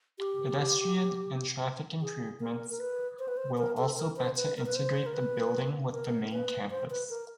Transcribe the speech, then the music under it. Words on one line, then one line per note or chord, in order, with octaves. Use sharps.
Pedestrian and traffic improvements will also better integrate the building with the main campus.
G4
G#4
A#4
A#4
B4
C5
B4
C5
A#4
A4
A#4
C5
B4
A#4
B4
C5
A#4
B4
A#4
B4
C5
B4
A#4